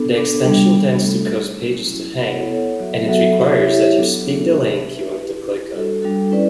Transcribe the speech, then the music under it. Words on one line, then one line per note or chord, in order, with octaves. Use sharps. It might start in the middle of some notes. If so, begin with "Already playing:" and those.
The extension tends to cause pages to hang, and it requires that you speak the link you want to click on.
Already playing: B3 D4 A4
B3 D4 A4
G3 B3 D4
G3 B3 D4
A3 D4 F#4 A4
A3 D4 F#4 A4
F#3 C#4 E4
F#3 C#4 E4
B3 E4 A4 C#5 F#5
B3 E4 A4 C#5 F#5
F#3 B3 F#4 A4 E5
F#3 B3 F#4 A4 E5
E4 G4 C#5 E5
E4 G4 C#5 E5
F#3 B3 D4 F#4 A4
F#3 B3 D4 F#4 A4
D4 G4 B4 E5
D4 G4 B4 E5
E4 G4 B4
E4 G4 B4
G3 D4 F#4 A4
G3 D4 F#4 A4
C#4 E4 B4 D5